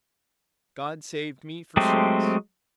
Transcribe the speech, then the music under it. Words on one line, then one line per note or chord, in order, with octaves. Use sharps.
God saved me for service.
F#3 G#3 A3 C4 G4